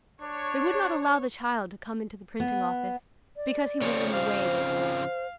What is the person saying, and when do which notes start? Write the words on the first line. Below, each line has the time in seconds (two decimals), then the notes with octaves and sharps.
They would not allow the child to come into the printing office, because he was in the way, they said.
0.21 D4 C#5
2.40 B3
3.36 D5
3.81 C#3 F3 C4 C#5
4.13 C5 F5